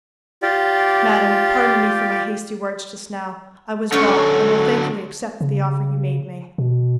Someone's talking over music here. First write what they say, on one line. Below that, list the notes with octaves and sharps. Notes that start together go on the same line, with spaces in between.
'Madam, pardon me for my hasty words just now; I was wrong, and will thankfully accept the offer you made me.'
F4 G4 D5
D3 F#3 A3 C#4
C#3
B2